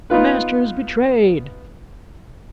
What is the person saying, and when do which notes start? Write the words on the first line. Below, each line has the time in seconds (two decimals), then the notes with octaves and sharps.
"The Master is betrayed!"
0.10 B3 D#4 F4 B4